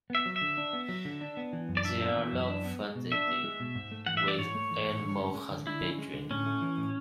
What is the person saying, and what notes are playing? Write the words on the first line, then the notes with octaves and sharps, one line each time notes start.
There are large fazendas with animal husbandry.
B3 E5
F#3
E5
D3
D4
B3
F#3
D3
D4
B3
E3
F#2
D5
D4 E5
B3
E3
F#2
D4
B3
G#3
B2
D4 E5
B3
G#3
B2
G#2
A3
E3 F#5
E5
G#2 D5
G#2 C#5
A3
E3
G#2
D3
C#4
G#3
D3
D3 E4
C#4
G#3
D3
A2 C#4
A3
E3
A2